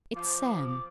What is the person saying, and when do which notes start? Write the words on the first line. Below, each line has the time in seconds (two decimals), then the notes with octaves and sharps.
It's Sam.
0.14 F3 D6